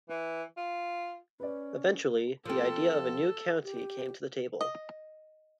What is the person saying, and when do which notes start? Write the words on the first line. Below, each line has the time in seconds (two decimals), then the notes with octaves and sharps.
Eventually, the idea of a new county came to the table.
0.09 E3
0.57 F4
1.40 C#4 B4 D5
2.45 F3 C4 A4
3.64 G4
4.61 D#5